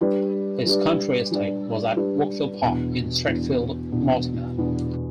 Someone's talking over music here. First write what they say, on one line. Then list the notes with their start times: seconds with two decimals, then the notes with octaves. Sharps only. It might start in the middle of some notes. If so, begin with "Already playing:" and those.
His country estate was at Wokefield Park in Stratfield Mortimer.
0.01 G3 D4 G4 B4 D5
0.66 G3 D4 G4 B4 D5
1.31 G3 D4 G4 B4 D5
1.96 G3 D4 G4 B4 D5
2.62 E2 B2 B3 D4
3.27 E2 B2 B3 D4
3.92 E2 B2 B3 D4
4.58 E2 B2 B3 D4